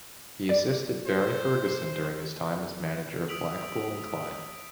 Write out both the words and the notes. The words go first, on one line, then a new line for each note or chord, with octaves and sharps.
He assisted Barry Ferguson during his time as manager of Blackpool and Clyde.
D5
C5
D#6 E6 B6 D7 F7 F#7